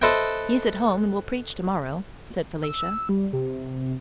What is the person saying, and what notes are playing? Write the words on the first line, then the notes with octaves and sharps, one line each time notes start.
"He is at home and will preach tomorrow," said Felicia.
A4 B4 C5 D#5 E5 G5
E6
G3
C3